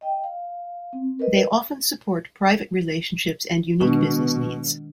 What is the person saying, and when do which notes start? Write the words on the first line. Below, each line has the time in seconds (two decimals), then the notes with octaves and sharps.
They often support private relationships and unique business needs.
0.01 D#5 G5
0.24 F5
0.93 C4
1.19 A#4 B4 D#5
3.81 B2 D#3 G#3 D4